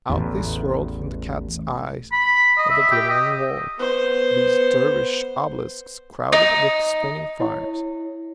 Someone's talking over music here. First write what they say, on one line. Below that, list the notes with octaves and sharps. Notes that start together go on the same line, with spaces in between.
Out they swirled from the cat's eyes of the glimmering wall, these dervish obelisks crowded with spinning fires.
A1 E2
B5
D#5
E5
G4
D#5
B3 C5
D#4
E4 C#5